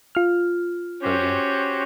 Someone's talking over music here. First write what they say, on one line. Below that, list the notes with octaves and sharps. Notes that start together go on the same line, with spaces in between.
So, yeah.
F4 F6
C#4 F#4 G4 C5